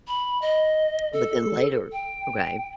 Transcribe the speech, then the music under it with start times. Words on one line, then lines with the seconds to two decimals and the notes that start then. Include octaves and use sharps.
But then later, okay,
0.08 B5
0.42 D#5
1.13 A4
1.92 G5